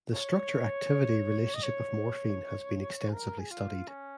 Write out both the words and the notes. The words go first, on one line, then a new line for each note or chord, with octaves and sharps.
The structure-activity relationship of morphine has been extensively studied.
C#5
D#5
C#5
G#4
A#4
G#4
F4
C#4